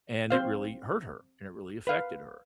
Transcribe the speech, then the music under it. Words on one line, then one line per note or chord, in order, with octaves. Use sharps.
and it really hurt her, and it really affected her,
C4 C5 F5
B4 F5